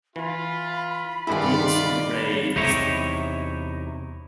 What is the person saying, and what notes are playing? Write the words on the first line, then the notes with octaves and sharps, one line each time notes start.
Goats are raised.
E3 F4 B5
G2 D#3 G#3 E4 F4 A4 D5
E2 C3 D#4 E4 C#5